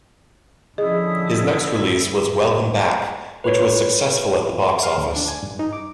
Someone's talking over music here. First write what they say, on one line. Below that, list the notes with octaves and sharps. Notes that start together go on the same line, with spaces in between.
His next release was "Welcome Back", which was successful at the box office.
D3 F3 C#4 E4 G#4 D#5 D#6
B4 C#5
F5
D2
D4
G#5
G2
D#4
D6